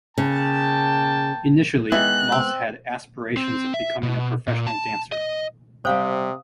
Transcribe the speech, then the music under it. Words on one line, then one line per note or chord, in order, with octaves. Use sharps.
Initially, Moss had aspirations of becoming a professional dancer.
C#3 A#3 G5 A5
D#3 E3 G#3 B3 F#6
C4
C4
E5
B2
A#2
A5
D#5
C3 G3 C5 F5 G5 D#6